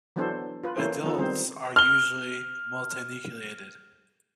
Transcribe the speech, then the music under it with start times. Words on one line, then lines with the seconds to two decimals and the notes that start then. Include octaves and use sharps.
Adults are usually multinucleated.
0.16 E3 F#3 B3 D4 A4 C5
0.63 F4 B4
0.77 E3 A#3 C#4 E4 A4 C5
1.04 D#3 F3 B3 D#4 A4
1.18 D#3 G3 C4 C5
1.76 F6 G7